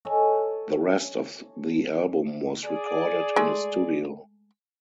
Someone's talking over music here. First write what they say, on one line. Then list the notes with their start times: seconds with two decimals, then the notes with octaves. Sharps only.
The rest of the album was recorded in a studio.
0.05 A4 C#5 D#5 G#5
2.65 G#4 D5
3.36 G#3 A3